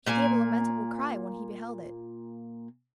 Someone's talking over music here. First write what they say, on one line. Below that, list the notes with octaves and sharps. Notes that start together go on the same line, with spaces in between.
He gave a lamentable cry when he beheld it.
A#2 A#3 G#5